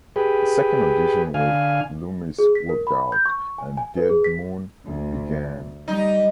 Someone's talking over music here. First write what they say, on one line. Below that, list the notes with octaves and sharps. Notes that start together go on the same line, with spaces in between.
A second audition with Loomis worked out, and Dead Moon began.
G4 G#4 B4
D3 F5 G#5
G#4
B6
A#4
B5
G6
C#6
G#5
G#5
B4
G#4
B6
D2
G3 D#4